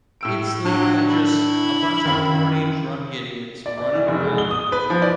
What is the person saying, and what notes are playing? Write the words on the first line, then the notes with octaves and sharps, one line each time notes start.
It's literally just a bunch of horny, drunk idiots running around,
A2 E6 D7
F#3 D4
E4
F#2 D#3 F5
D5
D5
E3
F1
G#3
G7
D#6
B4
F3
D5